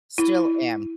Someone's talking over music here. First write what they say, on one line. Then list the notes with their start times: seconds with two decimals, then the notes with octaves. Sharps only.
Still am.
0.18 E4